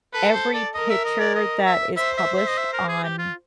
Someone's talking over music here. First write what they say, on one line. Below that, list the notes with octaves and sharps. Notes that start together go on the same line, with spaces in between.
every picture that is published on
A4 B4
C5
D5
A#4 D#5
E5
D#5
D5
D#5
E5
C5 E5
E5
E5
D#5
E5
A#4
G#4
G4
F4